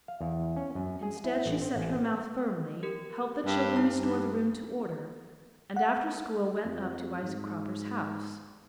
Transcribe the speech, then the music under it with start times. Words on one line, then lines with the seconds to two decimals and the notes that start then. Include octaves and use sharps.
Instead she set her mouth firmly, helped the children restore the room to order, and after school went up to Isaac Cropper's house.
0.08 F5
0.21 E2
0.56 C#4
0.75 F#2
1.03 G#4
1.24 E4
1.46 A1
1.61 C4
1.76 A1
1.93 B3
2.83 G4 A#4
3.46 G2
3.76 D#4 A#5
3.96 G2
5.76 F#5
6.65 F2
7.22 G#2